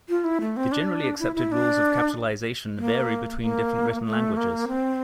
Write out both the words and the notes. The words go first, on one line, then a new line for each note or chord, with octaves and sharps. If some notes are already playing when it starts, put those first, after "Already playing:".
The generally accepted rules of capitalization vary between different written languages.
F4
E4
A3
C4
D4
E4
E4
D4
A#3
A#3
A3
A#3
C4